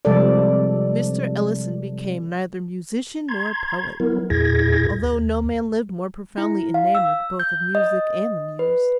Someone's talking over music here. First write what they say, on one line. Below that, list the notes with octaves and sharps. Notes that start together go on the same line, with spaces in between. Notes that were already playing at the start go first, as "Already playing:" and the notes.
Mr. Ellison became neither musician nor poet; although no man lived more profoundly enamored both of Music and the Muse.
C3 F3 G3 G#3 A4 D5
A#5 C6 G#6
F#3 B3 E4 A#4
E2 A#2 E4 G#4 G#6 A#6
D#2
E4
F5
E6
G6
D#5
B4